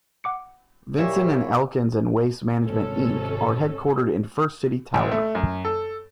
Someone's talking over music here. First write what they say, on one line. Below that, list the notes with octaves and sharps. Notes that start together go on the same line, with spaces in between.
Vinson and Elkins and Waste Management, Inc are headquartered in First City Tower.
F#5 D6 C#7
A#2 E4 G4 C#5
G#1 C3 C#4 A4
A1
A3
F#2
A4